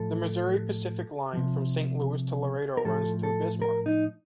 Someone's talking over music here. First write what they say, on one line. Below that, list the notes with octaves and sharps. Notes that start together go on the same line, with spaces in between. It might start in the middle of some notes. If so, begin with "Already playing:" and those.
The Missouri Pacific line from Saint Louis to Laredo runs through Bismarck.
Already playing: A2 F3 A4
C3 F3
A#4
A2 F3 A4
A4
A#4
D#4